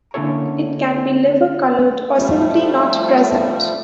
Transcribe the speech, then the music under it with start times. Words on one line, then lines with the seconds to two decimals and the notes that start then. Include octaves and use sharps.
It can be liver colored or simply not present.
0.14 D3 A#3 C#4 E4 A4 C#5
2.17 F3 G3 A3